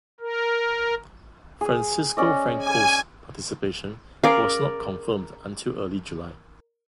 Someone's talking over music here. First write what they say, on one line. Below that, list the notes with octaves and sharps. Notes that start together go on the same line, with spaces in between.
Francisco Franco's participation was not confirmed until early July.
A#4
G#4
C#4 D5 D#5
G#5
C#4 G#4 A#4 D5 F5